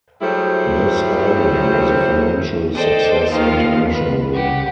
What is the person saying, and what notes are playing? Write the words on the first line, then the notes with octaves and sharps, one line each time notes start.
This album was a financial success internationally.
F#3 G3 A3 E4 G#4 C5
A4 C5 D5 D#5 G5
D#2 D#3 F3 F4 F5
B4
C#3 G4 F#5